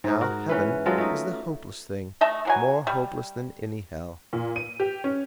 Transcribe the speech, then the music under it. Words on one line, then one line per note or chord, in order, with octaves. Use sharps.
Now, heaven is the hopeless thing, more hopeless than any hell.
G#2 D#4
F#4 A#4
E3 C#4 B4
F#3 G#3 F4 A4
A3 D#4
A3 D#5 E5 A5
E3 F#3 G#5
G3
A#2
D#7
G4
C#4